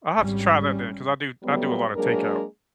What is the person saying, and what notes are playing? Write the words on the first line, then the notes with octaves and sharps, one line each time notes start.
I'll have to try that then 'cause I do I do a lotta takeout.
G#1 G3 C#4
F#3 G3 A3 B3
F#3 G#3 A#3 D4 G#4 A#4